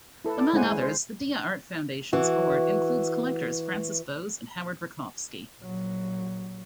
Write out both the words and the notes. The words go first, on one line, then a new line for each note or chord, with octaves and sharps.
Among others, the Dia Art Foundation's board includes collectors Frances Bowes and Howard Rachofsky.
E4 A4 B4
D5 A5
G#3 C#4 E4 C5 F#5 G#5
G#4 G#5
C5
E3 F#4
A#1 F#3